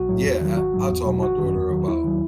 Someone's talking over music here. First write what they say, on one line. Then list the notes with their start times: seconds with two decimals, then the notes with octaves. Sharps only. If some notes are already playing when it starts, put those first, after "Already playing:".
Yeah, I I taught my daughter about
Already playing: B1 F#4
0.09 A2 F#3
0.24 E2
0.41 D#3 F#3
0.57 G#1 F#4
0.74 G#2 F#3
0.90 E2
1.06 B2 F#3
1.22 G#1 F#4
1.38 F#2 D#3
1.55 E2
1.71 D#3 F#3
1.88 D#2 E4
2.04 D#3 F#3